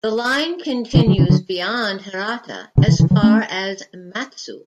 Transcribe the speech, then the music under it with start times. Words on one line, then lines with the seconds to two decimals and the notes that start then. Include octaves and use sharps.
The line continues beyond Hirata as far as Matsue.
0.95 C#3 E3
1.07 D3 F#3
1.18 C#3 E3
1.29 D3 F#3
2.78 B2 D3
2.88 C#3 E3
2.99 C#3 E3
3.11 D3 F#3
3.22 A3 C#4